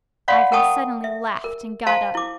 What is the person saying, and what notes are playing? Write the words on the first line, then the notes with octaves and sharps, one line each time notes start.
Ivan suddenly laughed and got up.
C#5 D5 F5 F#5 B5 C6
A#4 F#5 G5 A5 C#6 D#6
E5
A#4
C5 F5 A5 A#5 C6
E4 D6